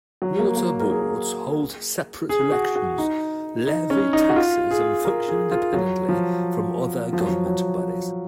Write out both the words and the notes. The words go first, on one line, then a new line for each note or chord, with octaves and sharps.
Water boards hold separate elections, levy taxes, and function independently from other government bodies.
F#3
A#3
A#3
A#4
G#4
G#4
F#4
F#4
D#4
D#4
C#4
D#4
F#4
F4
G#4
A#4
G#4
F4
F#3
F3
F3
F#3
F3
F#3